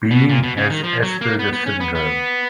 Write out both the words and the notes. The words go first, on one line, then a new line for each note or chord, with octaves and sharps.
Bean has Asperger syndrome.
B2
A#2
B2
C#3
D#3
F3
F#3
A#3
B3
B3
C#4
B3
B3